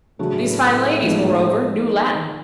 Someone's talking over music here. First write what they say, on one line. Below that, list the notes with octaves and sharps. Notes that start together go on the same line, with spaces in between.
These fine ladies, moreover, knew Latin.
A2 C#3 F#3 A3 D4 F#4
G#2 F3 G#3 B3 D#4